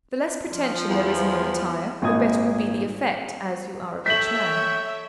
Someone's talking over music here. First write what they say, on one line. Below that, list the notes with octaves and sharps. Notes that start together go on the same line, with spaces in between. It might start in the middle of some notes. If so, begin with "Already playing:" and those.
The less pretension there is in your attire, the better will be the effect, as you are a rich man.
F3
E2
G#1 A#2 D#6 G#6
A4 C#5 E5 G5 B6 F#7